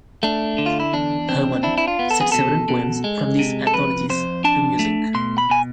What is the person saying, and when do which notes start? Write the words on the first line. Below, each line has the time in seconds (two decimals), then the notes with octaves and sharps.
Herrmann set several poems from these anthologies to music.
0.23 A3 D4
0.58 D3
0.66 F4
0.80 E4
0.93 E2 D4
1.29 C4
1.63 D4 E4
1.78 E4
1.88 F4
1.99 B3
2.11 A4
2.21 G#4
2.32 B2 A4
2.68 B2
3.04 G#3
3.39 C3
3.67 A4
3.74 F2 B4
4.09 F2 C5
4.44 D4 A5
4.79 A3
5.14 B2 C6
5.38 B5
5.50 B2 G#5